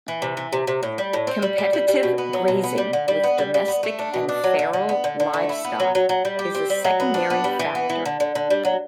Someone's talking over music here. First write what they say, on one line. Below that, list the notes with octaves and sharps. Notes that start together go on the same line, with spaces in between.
Competitive grazing with domestic and feral livestock is a secondary factor.
E3
C3
E3
C3
C3
A2
G3
A2
C4
G3
G3
G3
G3
B2
B3
F#3
B2
B3
G3
D3
G3
B3
G3
G3
B3
A3
D4
B2
D4
F#3
D3
D3
B3
D3
D3
A3
E4
B3
F#3
F#3
F#3
G3
G4
C4
G3
F#3
B3
D4
B3
G3
E3
B3
E3
D3
D3
D3
G3
F#3